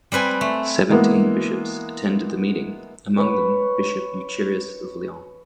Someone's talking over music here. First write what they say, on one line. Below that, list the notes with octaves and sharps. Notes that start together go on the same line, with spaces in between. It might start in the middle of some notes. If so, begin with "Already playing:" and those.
Seventeen bishops attended the meeting, among them Bishop Eucherius of Lyons.
G3 C4 B4 G#5
A3
E3 G#3 A#3 B3 E4
B4 C#5